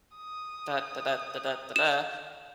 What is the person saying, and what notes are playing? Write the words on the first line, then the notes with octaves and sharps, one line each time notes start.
,"dah, da dah, da dah, da dah,"
D#6
E7